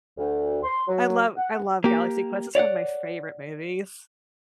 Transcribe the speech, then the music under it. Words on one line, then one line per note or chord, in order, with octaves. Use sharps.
I love I love Galaxy Quest, it's one of my favorite movies.
D2
C6
F#3
F#5
A#3 G4
C#5 D5 F5 F#5